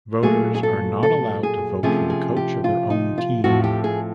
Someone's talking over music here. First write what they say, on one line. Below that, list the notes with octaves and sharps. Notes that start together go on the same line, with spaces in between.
Voters are not allowed to vote for the coach of their own team.
A#2 F#3 A3 G#4
G#4
A4
A4
G#4
C3 F3 A3 C#4 G#4
G#4
G4
F4
D#4
F4
A2 F3 A3 C4 F#4
G4
G#4